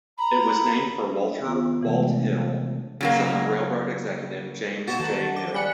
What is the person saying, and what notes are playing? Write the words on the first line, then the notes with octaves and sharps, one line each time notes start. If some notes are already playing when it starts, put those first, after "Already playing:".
It was named for Walter "Walt" Hill, son of railroad executive James J. Hill.
A#5 B5
D#3 B3 F4 F#4
C3 E3 G#3 A3
D4
C#3 F#3 A#3
A#2 B3 F#4 A6 E7
D#3 A4 F#5
D6
G3 G#5 F#6 B6 C#7